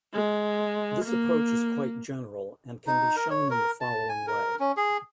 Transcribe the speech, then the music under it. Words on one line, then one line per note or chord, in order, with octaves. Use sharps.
This approach is quite general and can be shown in the following way.
G#3
A#3
D#4
A#4
C#5
A#4
A5
G#5
A#4
C#4
G#4